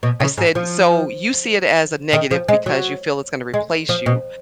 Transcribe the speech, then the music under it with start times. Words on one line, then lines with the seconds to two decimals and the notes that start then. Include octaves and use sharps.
I said, "So you see it as a negative because you feel it's gonna replace you,
0.03 B2
0.20 C#3
0.38 G#2
0.55 F3
2.13 D#3
2.31 F3
2.48 G#3
2.66 F#3
3.54 G#3
3.89 F3
4.06 B2